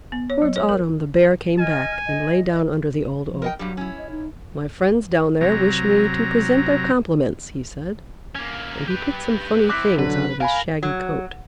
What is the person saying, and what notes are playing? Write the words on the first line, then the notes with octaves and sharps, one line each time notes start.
Towards autumn the Bear came back and lay; down under the Old Oak. "My friends down there wish me to present their compliments," he said, and he picked some funny things out of his shaggy coat.
B3
C#5
F#3
C#5
A#4
D#5 G#5 F6
D#5
F3
A#4 D#5 G5
G2 F#3 G3
C#4 E4
D#5
D#4
C3 F#3 A#5
A#3 C#4
G4 B4
C4 E4 D6 F#6 B6
D3 F#3 B4
A#4 F5 G#5 B5
F#3